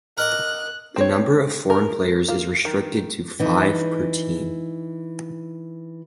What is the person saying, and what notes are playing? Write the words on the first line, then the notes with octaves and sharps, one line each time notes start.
The number of foreign players is restricted to five per team.
A#4 D#5 D6 F#6
C4 C#5
A#4
A#3 F4
D#3
E3 D#4